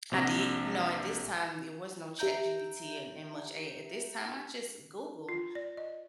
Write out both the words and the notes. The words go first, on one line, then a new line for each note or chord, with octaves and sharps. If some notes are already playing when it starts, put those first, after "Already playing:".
I did You know, at this time there was no ChatGPT and and much a at this time, I just Google,
A#1 C3 A#6
G4 E5 A#5 G6
F4
D5
D#5